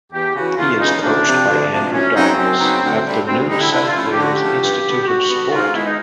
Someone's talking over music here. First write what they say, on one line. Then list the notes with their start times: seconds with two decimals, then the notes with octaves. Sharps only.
He is coached by Andrew Dawes at the New South Wales Institute of Sport.
0.13 E2 G4
0.35 C#3 E3 F#4
0.57 E2 F4
0.80 C#3 E3 D#4
1.02 D2 D4
1.25 C3 F3
1.48 D2
1.70 C3 F3
1.92 F#2 C#4
2.15 C#3 F#3 B3 C4 D#4
2.37 F#2
2.60 C#3 F#3 B3 D#4
2.82 D2
3.05 D3 G3
3.27 D2 C4
3.49 D3 G3 D#4
3.61 E4
3.71 D3 E4
3.87 F4
3.95 F3 A3 C#4 E4
4.12 D3 G4
4.22 F#4
4.33 G4
4.39 F3 A3 C#4 E4
4.61 G2
4.84 D3 G3 B3
5.02 G4
5.06 G2 F#4
5.29 D3 G3 B3
5.51 G#2 F4
5.63 F4
5.74 D#3 G#3 B3 E4
5.85 D#4